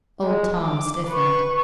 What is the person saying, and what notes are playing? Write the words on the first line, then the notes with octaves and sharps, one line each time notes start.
Old Tom stiffened.
G#3
D6
B4 C#6